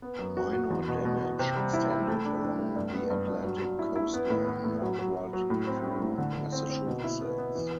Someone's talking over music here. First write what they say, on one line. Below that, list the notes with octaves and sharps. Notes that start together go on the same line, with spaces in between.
Minor damage extended along the Atlantic coastline northward through Massachusetts.
B3
F#2
F#4
F#4
E2
B2
B2
B2
C3
G3
E4
E4
A3
D4
D4
A3
G2
B3
G2
G2
F#3
F#3
E4
E4
B3
A2
B3
A2
F#3
F#3
F#3
F#3
A2
C4
G3
A2
D3
D3
C4
C4
B2
E4
B3
B3
E3